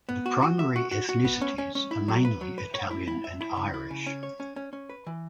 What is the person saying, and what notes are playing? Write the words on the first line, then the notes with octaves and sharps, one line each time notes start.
The primary ethnicities are mainly Italian and Irish.
B3
F#4
F#4
E5
F#4
F#4
F#4
B3
C#4
C#4
C#4
E4
F#3
B4
F#3
B4
C#5
E4
E4
E5
E4
C#3
E4
C#3
C#4
C#5
C#4
C#4
C#4
B4
E3